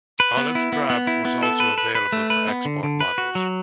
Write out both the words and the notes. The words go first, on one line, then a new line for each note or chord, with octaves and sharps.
Olive drab was also available for export models.
B4
B3
E4
B3
B3
E4
B3
A4
B4
B4
B4
A3
B4
B3
D3
D3
B4
F#4
F#3